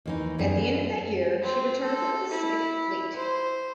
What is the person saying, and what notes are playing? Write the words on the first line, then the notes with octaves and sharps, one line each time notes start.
At the end of that year, she returned to the Pacific Fleet.
D#2 E3 D#4
F#2 B3 C#4 G#4
C4
A4
E4
C5